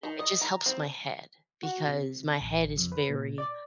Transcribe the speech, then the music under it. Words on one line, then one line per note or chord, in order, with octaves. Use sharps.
it just helps my head because my head is very
D#3
D#5
A#5
C4
F#4
C3
A1
F2
B4
A#2
D5